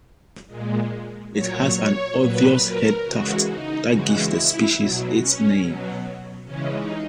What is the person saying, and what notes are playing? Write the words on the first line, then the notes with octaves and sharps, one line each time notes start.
It has an obvious head tuft that gives the species its name.
A#2 G#3
A#2 F#3 C#5
C#5
A#2 F#3 B4
A#4
C#3 E3 G#3 F#4
D#4
C#3 E3 G#3 F#4
E4
E4
B2 F#3
C#4
B2 F#3
C#3 E3 G#3 C#4
D#4